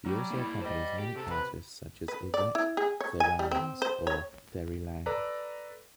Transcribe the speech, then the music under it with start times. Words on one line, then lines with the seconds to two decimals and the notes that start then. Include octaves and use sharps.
He also accompanies many artists such as Yvette Théraulaz or Thierry Lang.
0.06 F#3 G3
0.31 A#3 E4
0.62 G3 C5 D#5
0.99 G4
1.16 C3 A4
1.30 B4
2.08 B4
2.34 D5
2.55 E4
2.77 G#4
3.01 C#5
3.20 G#5
3.39 G3
3.51 C4
3.82 C5
4.07 C#5
5.06 A4 B4 D5 A#5